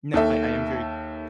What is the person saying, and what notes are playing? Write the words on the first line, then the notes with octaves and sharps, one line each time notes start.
No, I I am very
D#2 A4 E5